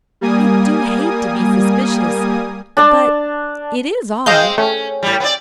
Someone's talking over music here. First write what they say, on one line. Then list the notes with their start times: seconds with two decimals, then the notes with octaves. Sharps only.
I do hate to be suspicious--but--it is odd.
0.21 G3 A#3 G#5 D#6
2.77 D4 D5 A5
4.26 G#3 C4 C5 D#5 F5 G6
4.58 A3 C#4
5.03 A2 G3
5.20 B3 C4 D5